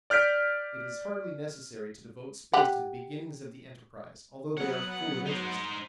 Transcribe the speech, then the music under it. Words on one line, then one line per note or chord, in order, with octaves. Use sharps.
It is hardly necessary to devote space to the beginnings of the enterprise, although they are full of interest.
D5 F6 G6 B6 D7
G4 F#5
F#3 B3 F#5
D#4 C5